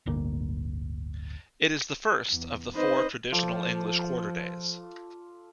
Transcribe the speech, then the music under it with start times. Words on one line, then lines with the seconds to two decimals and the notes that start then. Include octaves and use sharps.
It is the first of the four traditional English quarter days.
0.06 D1 G1 D2 A#3
2.29 E2
2.75 C4 D#4 B4 C5 D#5
3.32 F3 F4 A4 D5